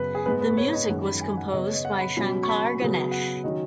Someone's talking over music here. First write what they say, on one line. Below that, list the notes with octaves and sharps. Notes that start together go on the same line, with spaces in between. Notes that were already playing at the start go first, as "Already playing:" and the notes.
The music was composed by Shankar–Ganesh.
Already playing: F#2 C#3 B3 B4
G#4
G#2 G#3 B3 B4
B4
C#5
D#5
F#2 D#3 G#3 C#4 F#5
B5
G#5
F#5
C#3 B3 D#5
C#5
D#5
F#5
B5
B2 F#3 C#4 B5
C#6
B5
C#3 F#3 B3
F#5
D#3 F#3 C#4 D#5